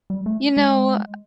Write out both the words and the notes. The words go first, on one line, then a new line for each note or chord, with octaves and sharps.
You know, uh,
G3
A3
G#3